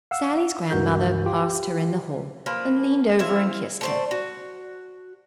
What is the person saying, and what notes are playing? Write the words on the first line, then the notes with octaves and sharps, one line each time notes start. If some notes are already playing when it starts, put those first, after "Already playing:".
Sallie's grandmother passed her in the hall and leaned over and kissed her.
F5 F#5 E6
C#2 G2 E3 F#4 A#4 G6
F4 G4
F3 A#3 B4
E4 C5 E5 F5
A3 C5 D5
F#4